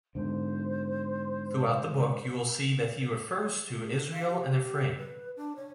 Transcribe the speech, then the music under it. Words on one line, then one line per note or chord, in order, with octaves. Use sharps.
Throughout the book you will see that he refers to Israel and Ephraim.
G#2 D3 C5
F5
G4
B4
D4
C#5